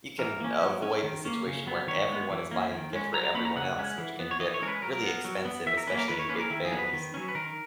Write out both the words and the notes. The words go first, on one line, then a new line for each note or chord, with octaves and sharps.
you can avoid the situation where everyone is buying a gift for everyone else, which can get really expensive, especially in big families.
E3 A#4
A#3 C#4
F#3
C#4
D#3
A#3 C#4
C#3
F#3 B3
D#3 C#5
G#3 B3
E3
A#3 C#4
D#3
G#3 C#4
F#3 A#5
A#5
A#3 C#4 B5
A#5
C#3 F#5
G#3 C#4
E3
B3
C#5
E3 D#5
C#5
G#3 C#4 A#4
B4
F#3 A#4
B3
F#3
B3
E3 E5
A#4
A#3 C#4 B4
A#4
D#3 B4
C#5
A#3 C#4 B4
G#4
A#4
D#3 E4
G#4
F#3 B3
B4
D#3
F#3 C#4
B4
D#3 A#4